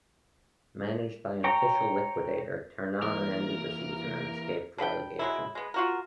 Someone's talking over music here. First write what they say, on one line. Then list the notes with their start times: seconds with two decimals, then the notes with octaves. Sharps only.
Managed by an official liquidator, Ternana ended the season and escaped relegation.
1.44 C#5 G5 A#5
3.02 E3 A#3 A#4
4.78 D4 B4 F#5 G5
5.19 F#3 G#3 E4
5.55 G#3 B3
5.74 F4 F#4 A#4